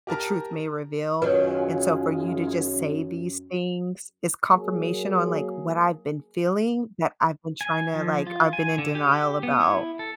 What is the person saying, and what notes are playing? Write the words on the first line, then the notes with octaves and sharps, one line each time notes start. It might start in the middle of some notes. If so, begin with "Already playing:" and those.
the truth may reveal and so for you to just say these things is confirmation on, like, what I've been feeling that I've been tryna, like I've been in denial about.
G4 A#4 A5 A#5
F#2 D#3 F#3 F4 G#4 B4 C#5
F#3 A#3 G#4
G#5
F3
F4
G#5
D3
G4
G4
B3
E4
A4